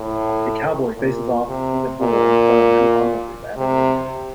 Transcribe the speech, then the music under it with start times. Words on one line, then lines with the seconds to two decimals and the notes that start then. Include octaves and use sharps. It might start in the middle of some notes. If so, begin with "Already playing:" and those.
A cowboy faces off with a bull in front of many onlookers at a rodeo.
Already playing: A2
0.97 A#2
1.49 C3
2.01 A#2
3.57 C3